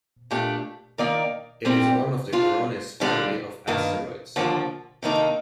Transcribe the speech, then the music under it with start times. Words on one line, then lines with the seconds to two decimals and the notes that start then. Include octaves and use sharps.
It is one of the Koronis family of asteroids.
0.31 A#2 A3 D4 G4
0.98 D#3 A#3 D#4 A#4 D5
1.65 A#2 G3 C4 G4
2.33 G3 D4 F4
3.00 D2 D3 G3 D4 F4
3.68 G2 D#3 A#3
4.36 D#2 D3 F3 A#3
5.03 C3 D#3 A#3 D#4 A4